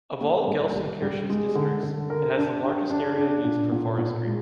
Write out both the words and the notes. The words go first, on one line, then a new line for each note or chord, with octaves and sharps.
Of all Gelsenkirchen's districts, it has the largest area used for forestry.
A#3
G3
G3
G3
G#3
D3
D3
A#4
D4
G4
D4
D4
A#2
A#2
A#2
G#3